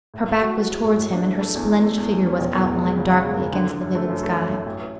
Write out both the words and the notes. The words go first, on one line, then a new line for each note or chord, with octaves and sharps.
Her back was towards him, and her splendid figure was outlined darkly against the vivid sky.
A2
A2
F#4
F#4
G#3
A2
A2
D4
A3
A3
E2
E2
A3
E2
E2
C#4
E1
E2
G#3
G#3
C#3
C#3
G#3
C#3
D3
D3
F#2
A3
F#2
A3
F#2
F#2
A1